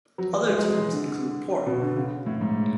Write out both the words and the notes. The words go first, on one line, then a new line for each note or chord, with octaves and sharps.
Other terms include port.
F#3
E3
G#3
G#3
F#3
E3
D3
B2
D3
C#3
A2
G#2